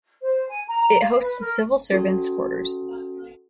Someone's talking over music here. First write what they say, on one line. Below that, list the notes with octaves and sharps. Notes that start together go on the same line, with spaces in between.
It hosts the civil servants quarters.
C5
G#5
A#5
A#5
F5
B4
A#4
C#4 F#4 A4